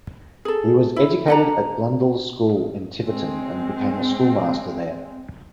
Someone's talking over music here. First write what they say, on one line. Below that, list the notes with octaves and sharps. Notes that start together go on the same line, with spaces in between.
He was educated at Blundells School in Tiverton, and became a schoolmaster there.
G#4 A4
E4
D4 F#5 A#5
G#3 C4